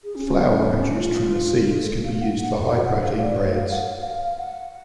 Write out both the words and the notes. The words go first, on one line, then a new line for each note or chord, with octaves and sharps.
Flour produced from the seeds can be used for high-protein breads.
G#4
C#4
C#4
B3
C#4
A3
B3
C#4
D4
F4
G#4
A4
F5
F#5
F#5
F5
D5
C#5
F5
F#5
F5
F5
F5
F#5